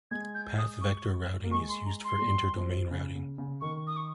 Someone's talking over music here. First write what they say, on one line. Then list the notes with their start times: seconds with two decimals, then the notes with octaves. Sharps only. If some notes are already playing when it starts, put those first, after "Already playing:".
Path vector routing is used for inter-domain routing.
0.11 G#3 G#6
0.35 G6
0.58 D#6
0.81 C#6
1.43 A#3
1.51 G#3 C#6
1.69 C6
1.86 A#5
2.04 C6
2.22 G3
2.56 F3
2.91 C#3
3.15 C#3
3.38 C#3
3.61 D#3 C#6
3.87 D#6
3.97 C#6